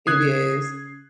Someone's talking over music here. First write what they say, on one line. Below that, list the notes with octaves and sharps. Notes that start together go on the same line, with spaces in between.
It is.
C#3 D#6 F#6 G#6 C7